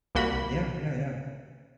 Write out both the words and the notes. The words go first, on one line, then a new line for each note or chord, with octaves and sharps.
Yeah, yeah, yeah,
C2 A#3 F#4 B5